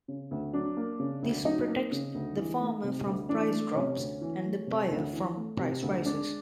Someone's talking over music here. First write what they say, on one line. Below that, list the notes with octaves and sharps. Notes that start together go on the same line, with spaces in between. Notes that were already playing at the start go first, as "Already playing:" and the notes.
This protects the farmer from price drops and the buyer from price rises.
C#3
D2
F#3 D4
A#3
C#3
D2
F#3 D#4
A#3
C#3
D2
E3
A3
C3
D2
E3 D4
A3
C3 C#4
D2
E3
A3
C3
D2
E3
A3
C3
D2
G#3 D4